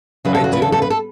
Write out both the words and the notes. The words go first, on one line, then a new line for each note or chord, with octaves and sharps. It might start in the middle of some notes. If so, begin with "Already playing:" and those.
I do.
E2 C#3 F#3 B4
A4
F#4
B4
A4
A4
B4
A4